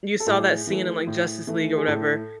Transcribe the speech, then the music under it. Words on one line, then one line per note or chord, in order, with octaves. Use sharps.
you saw that scene in, like, Justice League or whatever,
A4
A2 G#4
E3 A3
A2
E3 A3
G#4
A2 A4